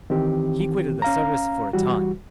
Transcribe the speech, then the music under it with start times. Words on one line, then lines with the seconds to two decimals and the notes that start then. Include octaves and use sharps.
"He quitted the service for a time."
0.10 D#3 E3 C4 G4
1.02 C#4 F5 A#5
1.73 E3 G3 F#4